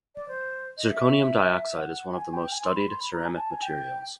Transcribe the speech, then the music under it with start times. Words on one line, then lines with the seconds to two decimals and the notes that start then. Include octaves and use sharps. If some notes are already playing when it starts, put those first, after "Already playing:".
Zirconium dioxide is one of the most studied ceramic materials.
0.15 D5
0.28 C5
0.78 D#5
0.90 E5
1.77 F#5
2.14 G#5
2.33 G5
2.51 G#5
2.64 C6
2.76 B5
2.88 C6
3.00 B5
3.13 A#5
3.25 G#5
3.37 A5
3.50 G#5
3.62 G5